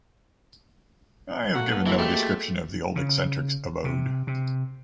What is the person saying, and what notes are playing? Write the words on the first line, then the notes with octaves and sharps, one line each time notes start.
I have given no description of the old eccentric's abode.
A3 A#3 F#4
B3
E3 F#3 G#3 E4
A3 E4 G4 C5
C#3
C3
C3